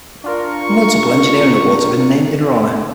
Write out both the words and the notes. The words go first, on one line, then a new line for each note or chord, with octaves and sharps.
Multiple engineering awards have been named in her honor.
D4 F4 A#4 C#6